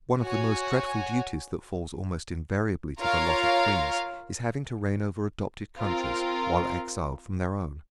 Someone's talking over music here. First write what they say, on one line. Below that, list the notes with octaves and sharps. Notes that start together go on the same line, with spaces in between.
One of the most dreaded duties that falls almost invariably to the lot of queens is having to reign over adopted countries while exiled from their own.
F#4 C#5 G#5
F4 A#4 C#5 F5
C4 F4 A#4